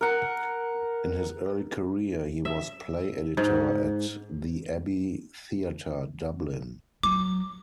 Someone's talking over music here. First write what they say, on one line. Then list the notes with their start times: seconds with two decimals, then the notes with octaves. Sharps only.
In his early career he was play editor at the Abbey Theatre, Dublin.
0.01 A#4 F#5
2.45 E5
3.37 G#2
7.03 F#3 D6